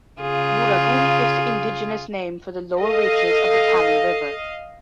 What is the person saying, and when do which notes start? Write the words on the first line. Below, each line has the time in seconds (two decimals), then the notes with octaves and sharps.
Booragoon is the indigenous name for the lower reaches of the Canning River.
0.21 C#3 F4 G#4
2.81 A4 D#5 F5